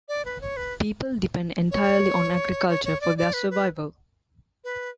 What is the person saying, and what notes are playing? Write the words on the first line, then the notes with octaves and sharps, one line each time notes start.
People depend entirely on agriculture for their survival.
D5
B4
C#5
B4
C#5
C#5
C#5
D5
D5
B4
B4
B4